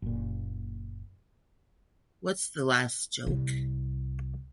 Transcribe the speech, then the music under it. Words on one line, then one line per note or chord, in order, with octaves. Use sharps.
What's the last joke?
F#1 A#2
C2